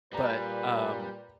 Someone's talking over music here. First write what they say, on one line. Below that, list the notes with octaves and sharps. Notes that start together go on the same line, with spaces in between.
but, um,
A#2 G3 B4 D5 A#5